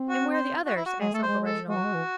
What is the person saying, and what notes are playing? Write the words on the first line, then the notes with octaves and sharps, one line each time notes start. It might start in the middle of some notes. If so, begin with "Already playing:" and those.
'And where are the others?' asked Uncle Reginald.
Already playing: C4
F#4
C5
F#4
E4
F#4
G#3 G#4
A3 A4
G#3 C5
A4
G#3 F#4
F#3
G#3
E3